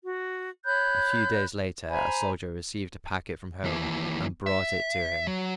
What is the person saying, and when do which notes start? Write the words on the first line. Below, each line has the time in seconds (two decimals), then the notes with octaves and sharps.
A few days later a soldier received a packet from home and brought it to him.
0.04 F#4
0.65 C#5 B5 F#6 G6
1.89 C5 G#5 A#5 B5
3.64 D#2 E3
4.46 E5
5.27 F#3